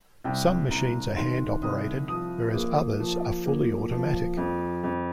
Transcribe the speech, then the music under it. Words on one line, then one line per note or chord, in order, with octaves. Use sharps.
Some machines are hand operated, whereas others are fully automatic.
C2 G5
C2 A#5
D#3 C6
C2 D#6
F3 D#6
A#3
F3
A#3
F3
F2
F2